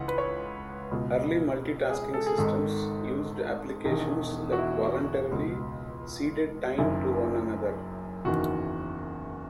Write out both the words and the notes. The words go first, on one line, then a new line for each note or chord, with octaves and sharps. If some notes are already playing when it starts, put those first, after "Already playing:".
Early multitasking systems used applications that voluntarily ceded time to one another.
Already playing: C#2 C#3 E3 F#5
B4
C#5
C#2 B2
G#4
A4
G#4
G#1 G#2 D#3 A4
E1 E2 D#3
F#4
E4
C#2 B2
F#1 F#2 D#3 E4
F#1 E2 D#3 F#4